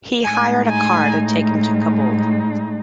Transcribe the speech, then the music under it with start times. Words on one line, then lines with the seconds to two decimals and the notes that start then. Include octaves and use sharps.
He hired a car to take him to Kabul.
0.24 A2 G#3 D#4 G#5
0.70 G#5